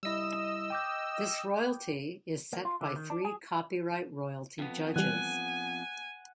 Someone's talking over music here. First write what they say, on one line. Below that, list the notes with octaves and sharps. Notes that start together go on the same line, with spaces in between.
This royalty is set by three copyright royalty judges.
G3 E4 D#5 E6
G5 D6 G6
A#3
F4
D3
D#3
D4
G#4
F2 B3
E3 G3 F#5 G#5